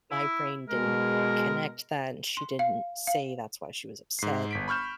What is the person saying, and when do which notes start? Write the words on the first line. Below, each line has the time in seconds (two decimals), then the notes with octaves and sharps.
my brain didn't connect that, and she didn't say that's why she was upset,
0.11 E4
0.70 B2 G#3 A#4
2.37 C6
2.59 F5
3.07 F5
4.19 G#2 C7
4.51 G1 B6 D7
4.68 B5 C#6 F6 G6 E7